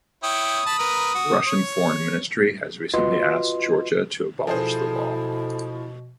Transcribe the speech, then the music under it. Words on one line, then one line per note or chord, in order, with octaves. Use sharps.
Russian Foreign Ministry has recently asked Georgia to abolish the law.
E4 C#5 G5 D#6
A5 B5
A#4 B4
F#4
C#5
F4 F#4 B4 D#5 C6
B2 F3 E4 G#4 A4 C5 A5